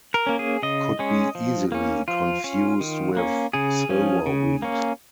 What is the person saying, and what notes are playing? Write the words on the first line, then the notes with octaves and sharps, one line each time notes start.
Could be easily confused with silverweed.
A#4
A#3 C#4
G#4
C#3 D#5
G#3 C#4
F3
A#3 C#4
F3 F4
C#4
D#3
A#3 C#4
C#3 G#4
F3 C#4
C#3
A#3 C#4